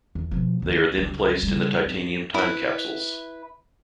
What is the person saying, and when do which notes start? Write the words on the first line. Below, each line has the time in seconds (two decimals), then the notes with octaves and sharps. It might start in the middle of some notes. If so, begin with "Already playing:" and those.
They are then placed in the titanium time capsules.
0.15 E2
0.31 B2 F3
0.62 D#2
0.98 C#2 F#3
1.43 C#3 G3
1.86 F#3 C4
2.34 E4 B4